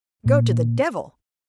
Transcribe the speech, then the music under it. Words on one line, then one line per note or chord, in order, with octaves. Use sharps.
Go to the devil!
A#2 A#3